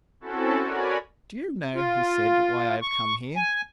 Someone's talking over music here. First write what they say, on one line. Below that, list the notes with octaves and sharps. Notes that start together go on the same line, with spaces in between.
"Do you know," he said, "why I have come here?"
C4 C#4 E4 F#4 A4
F#4 A#4 C#5 D5 G#5 B5
F4
C#6
G#5